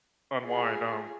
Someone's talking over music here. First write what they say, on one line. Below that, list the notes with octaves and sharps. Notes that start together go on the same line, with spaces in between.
unwind, um,
F4 G#4